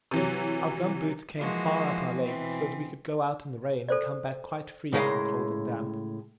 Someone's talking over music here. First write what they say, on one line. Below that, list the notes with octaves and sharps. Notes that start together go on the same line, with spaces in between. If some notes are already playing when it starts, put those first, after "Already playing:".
Our gum boots came far up our legs, so that we could go out in the rain and come back quite free from cold and damp.
C3 E3 F#3
E3 F3 G#3 A#3 F#4
B2 E3 C4
A4 C5 D5
A2 C#3 G#3 A#4 F5